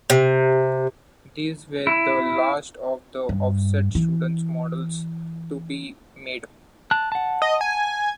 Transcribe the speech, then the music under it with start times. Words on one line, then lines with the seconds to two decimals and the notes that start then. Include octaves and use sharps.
These were the last of the offset student models to be made.
0.10 C3
1.87 E4
3.29 G2
3.95 E3
6.91 A5 F#6
7.12 F#5 A5
7.42 D#5
7.61 G#5